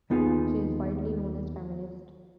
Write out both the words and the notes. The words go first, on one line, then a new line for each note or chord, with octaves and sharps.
She is widely known as a feminist.
D#2 B3 D#4 F4 G#4